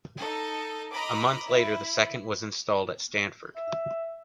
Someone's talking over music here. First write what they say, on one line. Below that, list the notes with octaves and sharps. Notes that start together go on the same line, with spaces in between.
A month later the second was installed at Stanford.
D#4 A4
D#5 A#5 B5 D6
E4
E5